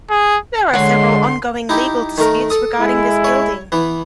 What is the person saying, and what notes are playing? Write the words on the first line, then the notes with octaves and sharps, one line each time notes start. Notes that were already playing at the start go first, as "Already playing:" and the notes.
There are several ongoing legal disputes regarding this building.
G#4
D3 G#3 C#5 F#5 C6
D#4 E4 G4
D#3 A3 A#4
A4 D#6
G#3 E4
C#5
E3 B3